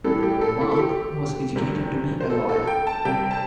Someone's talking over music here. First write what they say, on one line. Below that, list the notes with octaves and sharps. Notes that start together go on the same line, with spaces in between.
Marc was educated to be a lawyer.
A2 E3 G3 A4
G4
A4
E4
A4
G4
E2 C3 G3
C5
A4
A4
G5
A5
C3 G3 G5
A5